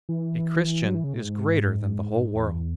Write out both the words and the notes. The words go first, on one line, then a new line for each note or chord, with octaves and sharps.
A Christian is greater than the whole world.
E3
F#3
E3
C#3
A2
G#2
E2